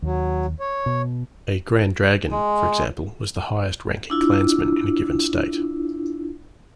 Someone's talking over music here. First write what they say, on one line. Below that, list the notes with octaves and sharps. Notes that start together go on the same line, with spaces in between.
A "Grand Dragon", for example, was the highest-ranking Klansman in a given state.
D#2 F#3
C#5
B2
G#3
D4 E4 F4